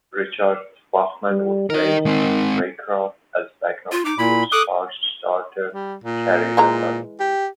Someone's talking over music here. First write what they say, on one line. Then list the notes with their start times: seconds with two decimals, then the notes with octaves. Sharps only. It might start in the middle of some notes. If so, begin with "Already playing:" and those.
Richard Bachman replaced Raycroft as backup to the Stars starter Kari Lehtonen.
1.29 G3
1.70 D#3 A#4 D#5
2.06 G#3 C4
3.92 F4
4.05 D#4 D6
4.18 A#2 E4 B5
4.52 A4 D6 D#6 F#6
5.73 G3
6.04 A#2
6.57 E3 G#3 A#5
7.20 G4